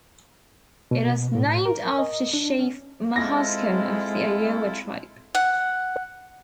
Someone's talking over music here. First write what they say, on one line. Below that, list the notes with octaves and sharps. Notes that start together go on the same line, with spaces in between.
It was named after Chief Mahaska of the Iowa tribe.
B2
A2
A#4
D#5
D4
C#4
G#3 C4 E4 F4 A4 A#6
F#5